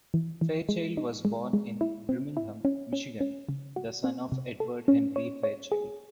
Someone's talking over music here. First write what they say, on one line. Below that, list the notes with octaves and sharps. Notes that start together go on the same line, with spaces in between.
Fairchild was born in Birmingham, Michigan, the son of Edward Henry Fairchild.
E3
E3
G#3
D#4
G#3
G#3
E4
C4
E4
C#4
C#4
C#4
C#3
F#4
C4
C3
A4
C#4
C#5
C#5
G#4